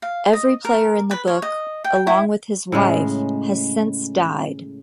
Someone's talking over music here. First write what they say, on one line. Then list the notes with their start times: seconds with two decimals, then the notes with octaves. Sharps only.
Every player in the book, along with his wife, has since died.
0.02 F5
0.33 D#5
0.65 A#4
1.11 B4
1.28 C#5
1.42 D#5
1.84 G5
2.07 E4
2.72 A2 C#3 G#3